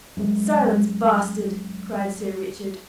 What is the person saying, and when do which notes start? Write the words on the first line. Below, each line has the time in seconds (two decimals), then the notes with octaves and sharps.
"Silence, bastard!" cried Sir Richard.
0.17 F#2 G#3